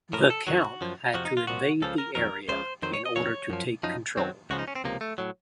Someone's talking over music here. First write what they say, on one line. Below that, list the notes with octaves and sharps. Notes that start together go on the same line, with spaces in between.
The count had to invade the area in order to take control.
A2 F3 A#4
A4
F2 D#3 F#3 F#4
F#2 F3
F2 C3 F3 F#4
D#4
F4
C2 A#2 F3 F#4
C#2 C#3 F3 A4
A#4
F2 D#3 F#3 A#4
C#2 C#3 F3 C5
F2 D#3 F#3 C5
C#5
D#5
F2 D#3 F#3 C#5
F#2 F3
F#2 F3 D#4
F#2 D#3 F#3 C4
C#2 C#3 F3 F#4
D#4
C#4
C4
C#2 C3 F3 A#3
A3
A2 F#3